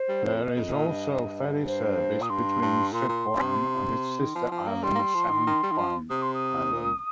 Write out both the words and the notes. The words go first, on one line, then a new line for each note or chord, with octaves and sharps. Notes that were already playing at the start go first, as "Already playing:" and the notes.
There is also ferry service between Xiachuan and its sister island Shangchuan Island.
Already playing: C5
G3
F2
D#5
F2
A#2
G2
C5
A#2 D#6
G2 C6
G2
A#2 C6
A#2
C3
D#3
F3
F3
A#3
G3 C6
A#3
G3
F3
D#3
D#3
G3
D#3
F3
C3 D#6
C6
D#6
A#2